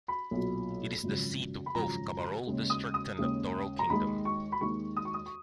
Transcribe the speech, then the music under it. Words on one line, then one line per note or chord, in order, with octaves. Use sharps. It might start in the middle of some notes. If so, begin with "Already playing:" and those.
It is the seat of both Kabarole District and the Toro Kingdom.
B5
B1 A#2 F#3
G#1 F#2 C#3 F3
B5
G#1 F#2 C#3 F3 A#5
D#2 C#3 G#3
D#6
D#6
D#2 C#3 G#3
A#5
D#2 D#3 G#3 B5
C#6
B5
D#2 D#3 G#3 C#6
D#6
C#6
D#6
C#6